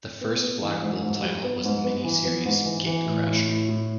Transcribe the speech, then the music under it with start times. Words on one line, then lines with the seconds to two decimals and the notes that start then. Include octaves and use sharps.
The first Black Bull title was the miniseries "Gatecrasher".
0.21 B3
0.42 B3
0.62 E3
0.82 G#2
1.04 G#2
1.23 G3
1.43 B3
1.65 G#2
1.84 B3
2.04 E3
2.25 B3
2.45 G#2
2.66 E3
2.86 E3
3.06 A2
3.27 A2
3.47 A2
3.68 A2